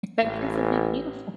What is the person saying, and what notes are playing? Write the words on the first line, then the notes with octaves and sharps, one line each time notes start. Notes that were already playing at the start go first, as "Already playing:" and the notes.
our kids will be beautiful.
A1